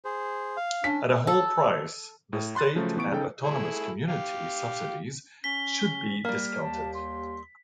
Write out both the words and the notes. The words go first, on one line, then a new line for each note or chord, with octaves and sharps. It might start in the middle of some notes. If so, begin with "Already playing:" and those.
At a whole price, the State and Autonomous Community subsidies should be discounted.
G#4 C5
F5
C#4 D4 B6
A4
A2
B5 C6 F#6 A6
C#3 F3 F#3 A3
E3 B3 C#6 D7
C#3 D#4 A4 G5
A3 E4 G#4
G4 F5
C#4 B6 G7
G3 A#3 F6
D#2 A5
C6